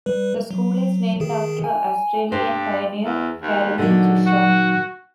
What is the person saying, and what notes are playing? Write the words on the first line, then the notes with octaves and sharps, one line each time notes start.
The school is named after Australian pioneer Caroline Chisholm.
G3 B4
F#3
D#3 G#4
G#5
G2 C5
E2
D#2
A#2 D3 D#3 F#3
F#4